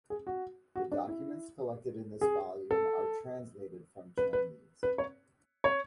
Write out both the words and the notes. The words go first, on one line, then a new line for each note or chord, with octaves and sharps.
The documents collected in this volume are translated from Chinese.
G#4
F#4
F#4
D4
E4
G#4
A4
B4
B4
B4
C#5
C#5